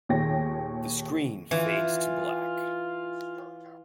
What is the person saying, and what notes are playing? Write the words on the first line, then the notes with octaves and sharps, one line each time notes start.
The screen fades to black.
D#2 A#2 G#4 C#5 G5 A#6
E3 F4